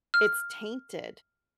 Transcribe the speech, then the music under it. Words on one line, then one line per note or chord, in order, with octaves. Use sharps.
it's tainted
F6